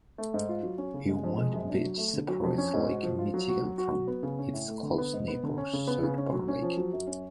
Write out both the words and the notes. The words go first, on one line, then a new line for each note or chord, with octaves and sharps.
A wide beach separates Lake Michigan from its close neighbor, South Bar Lake.
A3
G#2
F4
F#3
C#4
C#3
G#3
F2
G#3
F#2
D4
F#3
A3
D3
F#3
F2
C#4
G#2
F#4
F3
F4
F#3
F#4
F#3
F#4
F#3
B3
C#3
C#4
A2
A3
D3
B3
G#2
B3
D3
C#4
C#3
B3
C#3
C#4
F#3
C#4
F3
F#3
F#2
C#4